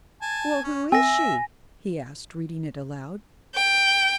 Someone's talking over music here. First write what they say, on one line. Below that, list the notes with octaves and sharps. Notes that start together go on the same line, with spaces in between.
"Well, who is she?" he asked, reading it aloud.
G#5 A5
C#4
C4 E5 G#5 A#6
G5